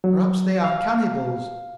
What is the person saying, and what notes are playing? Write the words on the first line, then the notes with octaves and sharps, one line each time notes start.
Perhaps they are cannibals!
F#3
F5